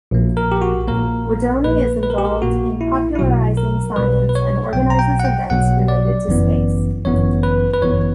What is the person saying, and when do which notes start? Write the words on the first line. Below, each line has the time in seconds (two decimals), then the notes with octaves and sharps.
Guidoni is involved in popularizing science and organizes events related to space.
0.11 A#1 A#2 A#3
0.37 A#4
0.52 G4
0.62 F#4
0.88 A#1 A#2 A#3 A#4
1.64 A#1 A#2 A#3 B4
2.03 B4
2.10 A#4
2.18 G4
2.25 A#4
2.42 A#1 A#2 A#3 F#4
2.81 E4
3.15 E4
3.19 B1 B2 F#3 F#4
3.57 A#4
3.96 B1 B2 F#3 B4
4.29 B4
4.35 C#5
4.73 B1 B2 F#3 G5
4.90 A#5
4.99 G5
5.20 F#5
5.25 G5
5.50 B1 B2 F#3 F#5
5.88 D5
6.28 G1 F#2 E3 B3
7.05 G1 F#2 E3 B3 C#5
7.43 B4
7.74 B4
7.81 G1 F#2 E3 B3 C#5